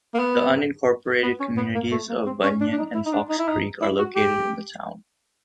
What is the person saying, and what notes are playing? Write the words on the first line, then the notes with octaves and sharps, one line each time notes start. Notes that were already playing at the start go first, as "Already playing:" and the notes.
The unincorporated communities of Bunyan and Fox Creek are located in the town.
A#3
B3
B3
C#4
B3
A#3
A3
A#3
C4
C#4
D4
D4
D#4
E4
D#4
D4
D#4
E4
D#4
E4
F#4
G4